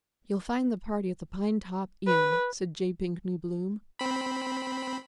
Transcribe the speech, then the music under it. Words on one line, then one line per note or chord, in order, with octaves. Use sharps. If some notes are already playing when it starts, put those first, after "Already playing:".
"You'll find the party at the Pinetop Inn," said J. Pinkney Bloom.
B4
C4 B5